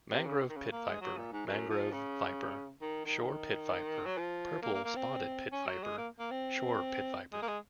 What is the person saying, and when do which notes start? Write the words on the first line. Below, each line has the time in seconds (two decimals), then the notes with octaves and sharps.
Mangrove pit viper, mangrove viper, shore pit viper, purple-spotted pit viper, shore pitviper.
0.12 C3
0.26 C#3
0.49 D#3
0.56 C#3
0.72 A#3
0.87 G#3
1.01 F#3
1.17 A#2
1.32 G#2
1.46 F#2
1.70 F3
1.92 C#3
2.81 D#3
3.05 D#3
4.06 F#3
4.18 F3
4.63 A#3
4.74 A#3
4.85 A#3
4.96 C4
5.52 C#4
5.67 F#3
5.83 G#3
5.97 A#3
6.19 A#3
6.31 C4
7.33 G#3
7.42 A#3
7.48 G#3